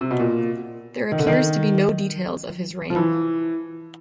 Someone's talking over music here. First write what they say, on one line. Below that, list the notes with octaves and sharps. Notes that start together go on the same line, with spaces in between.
There appears to be no details of his reign.
C3
B2
A#2
D#3
D3
D#3
F3
E3